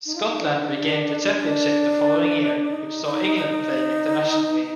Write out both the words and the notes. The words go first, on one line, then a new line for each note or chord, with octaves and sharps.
Scotland regained the Championship the following year, which saw England playing internationally.
D#4
F4
D#4
D4
D4
D#4
D#4
D#4